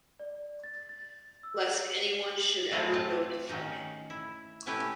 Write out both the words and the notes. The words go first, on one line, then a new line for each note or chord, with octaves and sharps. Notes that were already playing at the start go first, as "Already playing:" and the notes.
Lest anyone should ever go to fight him.
D5
A6
A6
E6
F#3 G#3 A3 E4 D#5 F5
A3 C4 F4 A5
D#3 C#4 D#4
E4
B2 A3 C#4 E4 G4 B4